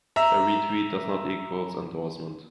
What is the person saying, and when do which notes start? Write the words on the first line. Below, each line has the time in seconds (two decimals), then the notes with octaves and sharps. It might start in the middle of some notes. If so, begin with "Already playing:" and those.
A re-tweet does not equals endorsement.
0.16 E5 A#5